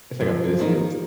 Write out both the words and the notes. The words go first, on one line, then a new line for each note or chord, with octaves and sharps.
it's, like, a business
F#2 F3
D#3 A#3 D#4